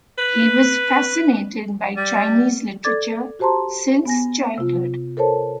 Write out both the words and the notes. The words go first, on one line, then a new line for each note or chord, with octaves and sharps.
He was fascinated by Chinese literature since childhood.
B4
G3
A4 D5 D6 G#6 A6
F#4 G4 C5 A5 A#5 C6
B3 G#5 A#6
C3 F4
A4 A#4 C5 C#5 A5